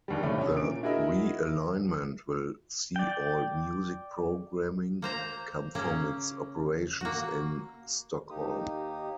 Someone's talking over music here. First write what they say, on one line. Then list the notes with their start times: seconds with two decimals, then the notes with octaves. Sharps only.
The re-alignment will see all music programming come from its operations in Stockholm.
0.08 F1 D#2 G3
0.23 A2 C3 A3 C#4
0.38 C#4 C#5
0.56 A#2 D7
0.83 E4 F#4 G#4 A#4 D#5 E5
2.96 D5 G5
5.02 A#3 C5 A#5
5.75 C#3 A#3 C#4
7.01 A#3 F#4
8.30 D#2 A#3 D#4 G4 D#6